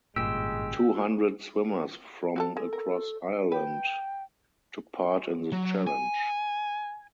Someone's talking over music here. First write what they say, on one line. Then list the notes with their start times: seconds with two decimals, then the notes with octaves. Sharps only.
Two hundred swimmers from across Ireland took part in the challenge.
0.16 G#1 G2 A#2 C#3 G#3 G4 E6
2.36 F#4 G4 A4
2.57 G#3 A4
2.73 A#4
3.52 B4 G5
5.52 F#3
5.87 G#5